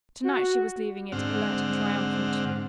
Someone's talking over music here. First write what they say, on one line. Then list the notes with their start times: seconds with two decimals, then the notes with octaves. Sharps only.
To-night she was leaving it alert and triumphant.
0.25 F#4
1.12 G#2 D3 C4 F#5 F6